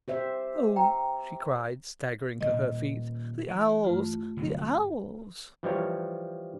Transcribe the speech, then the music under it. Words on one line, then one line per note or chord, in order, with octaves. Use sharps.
"Oh," she cried, staggering to her feet, "the owls, the owls!"
G4 C5 E5
G5 A#5
A#2 D#3 G3 D#5
E3
G2 A3 F4
G1 C3 F#3
E3 F3 G3 C#5